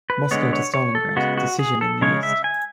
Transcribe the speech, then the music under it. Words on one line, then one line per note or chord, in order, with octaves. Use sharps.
"Moscow to Stalingrad: Decision in the East".
B4
D3 G#3 B3 C#5
C#5
C#5
A4
C#3 G#3 B3 F#4
F#4
G#4
A4
C#3 G#3 C#4 C#5
E5
G#5